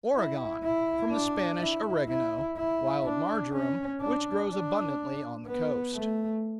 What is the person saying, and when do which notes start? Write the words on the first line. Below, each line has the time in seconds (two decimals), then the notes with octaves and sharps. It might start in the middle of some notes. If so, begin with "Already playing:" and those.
Oregon--From the Spanish "oregano," wild marjoram, which grows abundantly on the coast.
0.15 E4
0.64 E4
1.11 D4
1.60 E4
2.08 E4
2.57 E4
3.04 D4
3.53 C#4
4.01 D4
4.49 D4
5.46 B3
5.94 A3